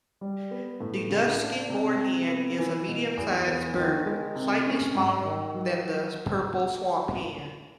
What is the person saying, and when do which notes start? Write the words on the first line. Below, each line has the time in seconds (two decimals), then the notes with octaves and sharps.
The dusky moorhen is a medium size bird, slightly smaller than the purple swamphen.
0.21 G3
0.51 B3
0.80 A2
1.10 C#3
1.40 D4
1.70 C3
1.99 C3
2.29 B3
2.58 E3
2.88 B2
3.17 E2
3.47 B3
3.76 D#3
4.06 G#3
4.35 C3
4.66 C#4
4.95 G#2
5.25 D#3
5.54 F#3